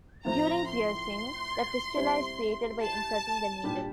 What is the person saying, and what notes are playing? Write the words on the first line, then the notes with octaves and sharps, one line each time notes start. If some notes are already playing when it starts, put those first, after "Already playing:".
During piercing, the fistula is created by inserting the needle.
A2 F3 C4 E4 A#5
C6
G3 C4 E4
A5
A#2 G3 D4 G4